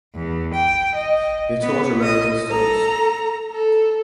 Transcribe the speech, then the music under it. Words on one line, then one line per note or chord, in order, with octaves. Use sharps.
He taught American studies.
E2
G5
D#5
B3
D#5
A4 A#5
A4